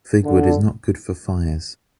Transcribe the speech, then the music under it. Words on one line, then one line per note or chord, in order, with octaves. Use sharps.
Fig wood is not good for fires.
D3